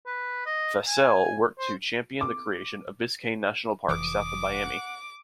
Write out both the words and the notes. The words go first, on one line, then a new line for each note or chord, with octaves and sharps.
Fascell worked to champion the creation of Biscayne National Park, south of Miami.
B4
D#5
G#5
C5
D6
F1 C2 E3 D6 D#6
F#5